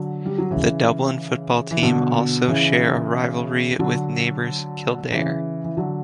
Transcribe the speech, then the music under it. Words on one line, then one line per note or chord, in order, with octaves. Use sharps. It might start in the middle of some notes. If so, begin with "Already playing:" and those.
The Dublin football team also share a rivalry with neighbours Kildare.
Already playing: D3 F#3
G3
F#3
C#3 E3
E3
B2 D3
C#3 E3
D3 F#3
C#3 E3
E3
D3 F#3